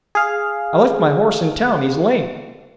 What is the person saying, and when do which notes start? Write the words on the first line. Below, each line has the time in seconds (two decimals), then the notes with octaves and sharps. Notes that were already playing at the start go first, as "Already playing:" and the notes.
"I left my horse in town--he's lame."
0.15 G#4 F5